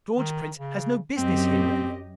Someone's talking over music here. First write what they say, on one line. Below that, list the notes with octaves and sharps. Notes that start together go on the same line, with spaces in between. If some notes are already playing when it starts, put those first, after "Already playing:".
George Prince has no business here with me!
D#3
C#3
F#2 C4 G4 D#5